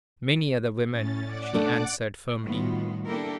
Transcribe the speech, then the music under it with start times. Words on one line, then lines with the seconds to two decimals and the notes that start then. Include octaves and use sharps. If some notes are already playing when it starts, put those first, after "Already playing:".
"Many other women," she answered, firmly.
0.89 A2 C#4 A6
1.24 D5 F#5 D6
1.54 A3 D4 A4
2.45 A2 D#3 G3 B3 F4 F#4
3.06 A#3 D4 E4 G4 A4 A#4